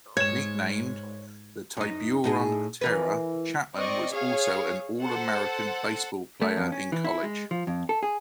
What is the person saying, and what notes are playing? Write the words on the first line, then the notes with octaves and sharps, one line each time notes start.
Nicknamed the "Tiburon Terror", Chapman was also an All-American baseball player in college.
G#2 C#5 G#6 E7
F#2 D#4
A2 D#4 G#4
E3 A#4 B4
C4 D5 D#5 C#6
G#4 C#5 F5
A4 C5 F#5
A3
F2
C#4
E3
E4
G#3
F3
F2
A4
G#4